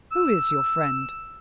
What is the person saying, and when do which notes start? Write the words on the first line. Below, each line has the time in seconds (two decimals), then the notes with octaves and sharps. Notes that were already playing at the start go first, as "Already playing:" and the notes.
"Who is your friend?"
0.12 E6